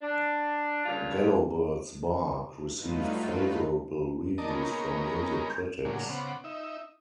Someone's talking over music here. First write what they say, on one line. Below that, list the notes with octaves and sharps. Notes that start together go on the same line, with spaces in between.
"Gallowsbird's Bark" received favorable reviews from music critics.
D4
G2 A#2 C#3 F4
G2 F#3 A3 D#4 F4 B4
A#4 D5 D#5 A5
G#3 A#3 B3 C#4 D#4 A#4
A2 C#3 F#3 G#3 A#3 D4
C#3 B3 C5 F#5 D6
D#4 E5